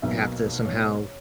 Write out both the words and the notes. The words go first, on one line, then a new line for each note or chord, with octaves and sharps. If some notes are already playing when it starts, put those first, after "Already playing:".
have to somehow
B1 B2 A#3 E5
C#5